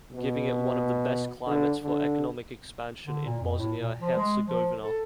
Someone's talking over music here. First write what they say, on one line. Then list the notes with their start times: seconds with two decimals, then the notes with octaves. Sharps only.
Giving it one of the best climates for economic expansion in Bosnia-Herzegovina.
0.15 B2
1.47 D3
1.83 D3
3.05 D3
3.25 A#2
3.40 F2
3.58 A2
3.80 A#2
3.99 F3
4.16 G#3
4.46 F3
4.82 A4